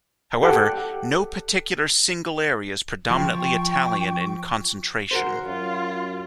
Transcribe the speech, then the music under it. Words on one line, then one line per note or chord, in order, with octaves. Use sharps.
However, no particular single area is predominantly Italian in concentration.
G4 A4 F#5
F3 G5 C#6
F#4 A#4 C5 C6
F#2 F4